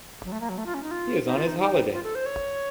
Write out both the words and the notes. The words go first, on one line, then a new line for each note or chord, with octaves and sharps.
He is on his holiday.
F#3
A3
A#3
F#3
A3
F4
C#4
D#4
F4
D#4
F4
D#4
D#4
F4
A4
C5
C#5